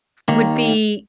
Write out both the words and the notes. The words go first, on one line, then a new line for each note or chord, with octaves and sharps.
would be
D#2 D#3 A#3